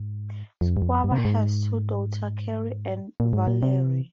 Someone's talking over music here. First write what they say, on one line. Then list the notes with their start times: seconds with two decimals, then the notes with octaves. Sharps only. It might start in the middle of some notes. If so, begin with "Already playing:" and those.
Schwaber has two daughters, Carey and Valerie.
Already playing: G#2
0.61 F2
0.77 G2
0.82 F2
1.04 G2
1.12 C3
1.18 A#2
1.25 G#2
3.20 A#2
3.33 G#2
3.47 A#2
3.63 C3